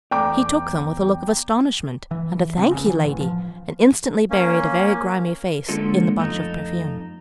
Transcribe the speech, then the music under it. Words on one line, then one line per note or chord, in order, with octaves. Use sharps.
He took them, with a look of astonishment and a "Thank ye, lady!" and instantly buried a very grimy face in the bunch of perfume.
E2 A3 D5 G5 A#5 D6
E3
C3
C#3
E3
A1
F3
A#3 C#4
D3 G#3 A#3 C#4 F4 A4
F2 A3 D#4